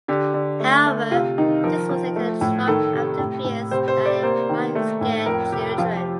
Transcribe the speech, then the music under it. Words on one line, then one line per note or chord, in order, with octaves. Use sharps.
However, this was later dropped after fears that it might scare children.
D3 G4
D3
A3
A3
C3 F4
D#3 D#4
F3 A#4
F3
A3
A2
D#3 A4
C3
A2
A2
C3 C5
C5
C3
D5
A#3 C5
D#3
A3
A2
F2 A#4
C3 G4
F3 F4
G4